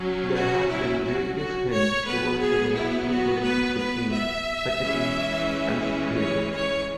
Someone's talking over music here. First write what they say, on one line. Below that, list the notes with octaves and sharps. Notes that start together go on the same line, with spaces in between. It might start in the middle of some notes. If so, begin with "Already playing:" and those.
There have been various hints towards a romantic link between Seccotine and Spirou.
Already playing: F#3 C#4
F#4
E4
F#4
F#4
C#5
F#3 B3 B4
G#4
E4
F#4
B4
B4
E5
E3 G#3 C#4
C#5
C#5